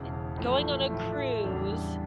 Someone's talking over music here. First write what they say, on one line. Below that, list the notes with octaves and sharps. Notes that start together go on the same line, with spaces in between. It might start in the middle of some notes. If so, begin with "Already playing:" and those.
eh, going on a cruise,
Already playing: E1 E2 C#3
A1 A2 F3 A3
A2 F3 A3
E2 C#3 G3 D4